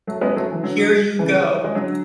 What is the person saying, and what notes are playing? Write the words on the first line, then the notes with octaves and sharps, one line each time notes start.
Here you go.
F#3 A3
G#3 B3
F#3 A3
E3
D3 F#3
C#3 E3
G#3
D3 F#3